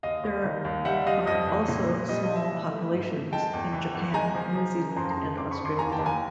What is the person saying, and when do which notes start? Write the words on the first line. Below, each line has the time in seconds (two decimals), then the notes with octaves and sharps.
There are also small populations in Japan, New Zealand, and Australia.
0.03 D#2 D#5 F5
0.23 D#2
0.44 D#3
0.65 D#2
0.85 G3 E5 F#5
1.06 G3 D#5 F5
1.27 F2 D#5
1.47 E3
1.68 A#2
1.89 A#2
2.09 G3 D#5
2.23 D#5
2.29 G3
2.36 E5
2.50 E3
2.71 A3
2.92 G#2
3.11 A3
3.32 G#3 G5 A5
3.53 E2
3.73 E3
3.94 E2
4.14 G#3 G#5 A#5
4.35 F3
4.55 F3
4.76 C#3
4.96 F2 A#5 C6
5.10 A#5 C6
5.17 C#3
5.37 F2 C6 D6
5.51 B5 C#6
5.58 F2
5.65 C6 D6
5.78 D#2 G#5 A#5
5.92 G5 A5
5.99 D#2
6.06 G#5 A#5